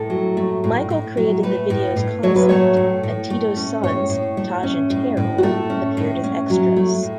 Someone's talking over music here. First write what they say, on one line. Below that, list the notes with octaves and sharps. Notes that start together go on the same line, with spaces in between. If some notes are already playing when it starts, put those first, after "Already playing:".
Michael created the video's concept, and Tito's sons Taj and Taryll appeared as extras.
Already playing: A2 A4
F#3
A3
A2
A2
F#3
A3 B4
A2
A2
F#3 C#5
B4
A3 C#5
A2
A2
A3
C#4
A2 C#5
A2
A3
C#4
A2
A2
F#4
A3 A4
C#4
A2
C#4
F#3
A3
A2